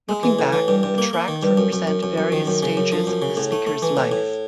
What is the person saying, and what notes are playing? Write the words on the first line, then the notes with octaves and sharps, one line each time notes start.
Looking back, the tracks represent various stages of the speaker's life.
G#3
E3
A2
E3
G2
G2
A#3
A#3
D#3
G2
F#2
F#2
F#2
F#2
F#2
D#3
F#2
C#3
F#2
F3
F#2
C#3
A2
A3
A3
E3
A2
A2